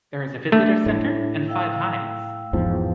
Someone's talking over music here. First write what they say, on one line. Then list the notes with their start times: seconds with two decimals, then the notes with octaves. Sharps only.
There is a Visitor Centre and five hides.
0.52 A3 D4
0.86 A2
1.48 F5 G5 E6
2.53 E2 G#2 F3